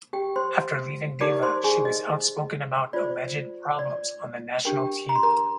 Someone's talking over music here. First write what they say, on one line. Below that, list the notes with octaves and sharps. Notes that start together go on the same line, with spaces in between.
After leaving Deva, she was outspoken about alleged problems on the national team.
G4 G5
C5 C6
D#4 G4 A#4 D5 D6
C5 C6
G#4 G#5
D#5
F4 C5 D5
D5
D4 G4 A#4 G5
A#5
C6
A#4 A#5